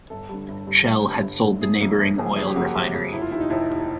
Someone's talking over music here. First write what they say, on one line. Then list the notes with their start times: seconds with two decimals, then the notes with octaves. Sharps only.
Shell had sold the neighbouring oil refinery.
0.10 G1 A4
0.29 G2 D3
0.48 G1
0.67 G2 D3
0.86 G1
1.04 G2 D3
1.24 G1
1.43 G2 D3
1.61 G1 G#4
1.80 F#2 C#3 F3 A#3
1.99 G1
2.18 F#2 C#3 F3 A#3
2.36 G1 G#4
2.47 G4
2.56 F#2 C#3 F3 A#3 F#4
2.65 G4
2.75 G1
2.93 F#2 C#3 F3 A#3
3.12 F1 E4
3.21 F4
3.31 D#2 D#3 E4
3.40 D#4
3.50 F1 E4
3.69 D#2 D#3